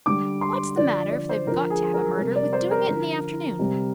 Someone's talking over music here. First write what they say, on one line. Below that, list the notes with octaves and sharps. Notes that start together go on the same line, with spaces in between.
What's the matter, if they've got to have a murder, with doing it in the afternoon?
D3 G3 D6
C6
D3 F3 D5
D5
C5
D3 F3 A#4
G#4
A#4
C3 G3 A#4
D5
C5
A#4
D3 F3 A#4
C3 G3